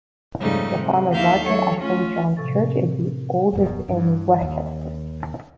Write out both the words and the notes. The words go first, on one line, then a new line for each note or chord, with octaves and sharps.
The famers' market at Saint John's Church is the oldest in Westchester.
F2 G#2 C#3 G3 A3 D#4
C3
D#2 A#3 E4 E5 F5 G6
F#3 A4 C#5
A3 C#4 F4
A2 C3 F3 A4 C#6 A6
C4 A#4
D#1 F#2 B2
G2 E3
D#2